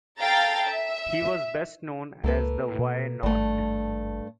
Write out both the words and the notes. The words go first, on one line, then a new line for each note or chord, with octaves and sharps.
He was best known as the Why Not?
A4 F5 G5 A#5 A6
E5
C#2 A#3 A4 B4
B2
G#1 G2 A3